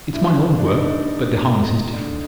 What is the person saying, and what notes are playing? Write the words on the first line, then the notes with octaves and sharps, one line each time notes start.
It's my old work, but the harness is different.
G2 E4
G2
G2 D4
D#4
D4
G2
G2
G2
D3
D3
D3